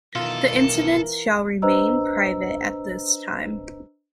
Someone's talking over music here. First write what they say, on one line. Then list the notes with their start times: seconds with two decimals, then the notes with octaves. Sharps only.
The incidents shall remain private at this time.
0.16 B2 D#3 E3 F4 A4 A#4
1.62 D4 B4 C5 D#5 A#5 E6